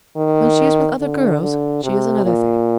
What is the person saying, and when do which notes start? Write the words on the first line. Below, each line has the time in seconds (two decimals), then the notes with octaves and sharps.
When she is with other girls she is another thing.
0.17 D#3
1.00 D3
1.42 D3
1.84 C3
2.25 A#2